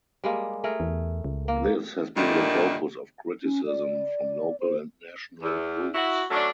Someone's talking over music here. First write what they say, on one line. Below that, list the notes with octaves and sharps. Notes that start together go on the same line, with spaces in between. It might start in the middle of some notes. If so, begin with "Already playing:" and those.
This has been the focus of criticism from local and national groups.
G3 G#3 A#3
A3 G#4 A#4
E2
C#2
A#3
G2 A#2 D3 D#3 A3
C#4
D5
C5
E2
E4 F#4
F#3 A3 C#4 D4